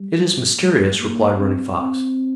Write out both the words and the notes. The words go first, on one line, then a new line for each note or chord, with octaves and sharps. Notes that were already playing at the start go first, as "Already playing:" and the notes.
"It is mysterious," replied Running Fox.
Already playing: G3
G#3
A#3
C4
C4